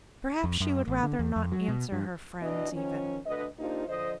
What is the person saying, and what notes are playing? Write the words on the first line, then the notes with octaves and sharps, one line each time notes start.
Perhaps she would rather not answer her friends, even.
F2
F#2
A1
D3
E2
F2
F#3
B2
G2
B2 E3 B3 D4 F#4 D#5
D#3 F3 C#4
D2 D3 D4 B4 D#5
A#3 D4 D#4 F4 G4 C5
D3 F3 C5 D#5